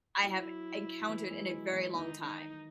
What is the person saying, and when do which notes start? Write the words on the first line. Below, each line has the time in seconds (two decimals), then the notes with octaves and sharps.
I have encountered in a very long time,
0.23 F#3 E4
1.09 E3
1.30 G#3
1.52 F#3
1.73 E3
1.94 D#3 D#4
2.24 D#4